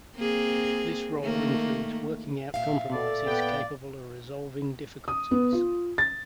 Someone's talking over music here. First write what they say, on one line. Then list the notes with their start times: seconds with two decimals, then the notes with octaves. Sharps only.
This role includes working out compromises capable of resolving difficulties.
0.16 A#3 C4 G#4
1.19 D#3 A3 A#3
2.54 A#2 E5 F5
2.93 A4 D5
3.26 B3 G5
5.08 D#6
5.31 B3
5.52 F4
5.98 A6